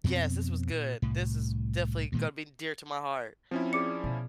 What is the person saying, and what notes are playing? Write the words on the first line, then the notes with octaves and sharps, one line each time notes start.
Yes, this was good. This is definitely gonna be dear to my heart.
F2 B2 C4
A#2
C2 A2
G2 A#2 D#3 G#3
F3 C4 C#4 E4
G#4 D5 D6 C#7
B2